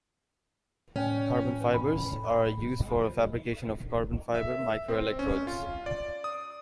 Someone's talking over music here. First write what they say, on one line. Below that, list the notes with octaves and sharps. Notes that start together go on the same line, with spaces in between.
Carbon fibers are used for fabrication of carbon-fiber microelectrodes.
A2 C#4 G5
B5
E5
C4
C#4
F4
D5
D#6